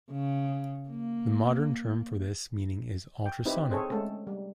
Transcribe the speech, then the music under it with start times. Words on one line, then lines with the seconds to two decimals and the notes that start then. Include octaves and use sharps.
The modern term for this meaning is "ultrasonic".
0.11 C#3
0.90 A#3
3.26 G5
3.45 C4 D#4 E4 G4 B4
3.71 C4 G#4 A4 C#5
3.90 G#3 A3 C#4 A4
4.27 G3